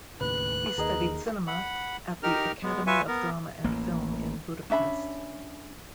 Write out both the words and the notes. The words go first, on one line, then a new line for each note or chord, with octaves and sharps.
He studied cinema at the Academy of Drama and Film in Budapest.
D#2 A2 C#3 B4 F#6
D#2 D#4 G#4 A#4
F#5 B5
D#4 G4 A#4 F6
G#3 B3
F4 B4 E5 G#5 C#6
B3 A#4
A1 A#3
C#4 D4 E5 B5